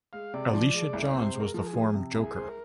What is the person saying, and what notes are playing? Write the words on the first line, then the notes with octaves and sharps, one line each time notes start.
Alicia Johns was the form joker.
G#3 F5
C3 D5
F3
G#3
C2
D5
C3 C5
G#3
A#4
F3 A#4
G#4
F3
C3
C2
G#4
G#3 C5
A#4